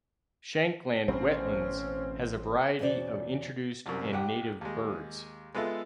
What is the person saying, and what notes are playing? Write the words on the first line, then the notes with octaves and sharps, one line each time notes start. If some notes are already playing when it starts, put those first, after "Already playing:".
Shankland Wetlands has a variety of introduced and native birds.
A1 B2 C4 C#4 C5
E2 B2 C#4 C5 D5
C2 F#2
A1 G4 F#5
D#2 G#3
G#3 B3 F4 A4 E5